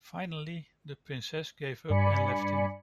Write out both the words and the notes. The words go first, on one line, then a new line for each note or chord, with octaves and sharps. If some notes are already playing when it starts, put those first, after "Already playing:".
Finally, the princess gave up and left him.
G2 D5 G#5 B5 C#7